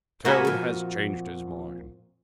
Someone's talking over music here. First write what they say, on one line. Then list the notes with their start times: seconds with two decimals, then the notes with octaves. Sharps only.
Toad has changed his mind.
0.25 A#3 F#4 A4 A#4 G#5 B5
0.45 F2 A#2